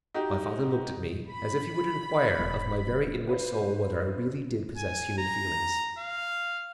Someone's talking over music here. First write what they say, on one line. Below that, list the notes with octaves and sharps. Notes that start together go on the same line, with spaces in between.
My father looked at me, as if he would inquire of my very inward soul whether I really did possess human feelings?
D#4 F#4 G4
B5
E1
B4 C5
G#5
A#5
F5